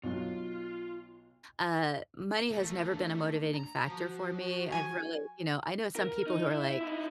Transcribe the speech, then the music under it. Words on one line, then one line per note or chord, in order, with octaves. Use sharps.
uh, money has never been a motivating factor for me, I've really you know, I know some people who are like,
B1 F#3 F4
A3 A#3
D4
A#5
F3 F#4
G#5 C#6
A#4
D#4
E4
D#4 E4